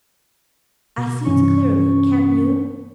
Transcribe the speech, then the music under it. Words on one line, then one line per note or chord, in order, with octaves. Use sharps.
I see it clearly, can't you?
B2
G2 C3 E3 C#4 C#6